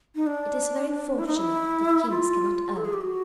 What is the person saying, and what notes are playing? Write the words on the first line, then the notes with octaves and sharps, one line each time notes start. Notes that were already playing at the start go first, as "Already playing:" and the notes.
It is very fortunate that kings cannot err.
D#4
D4
E4
D#4
E4
F4
A4
G#4
G4
F#4